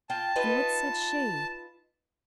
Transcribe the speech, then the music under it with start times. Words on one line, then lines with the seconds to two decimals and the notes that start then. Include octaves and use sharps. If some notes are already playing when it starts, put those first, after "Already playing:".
"And what said she?"
0.10 F4 G5 A5
0.36 D#4 F4 B4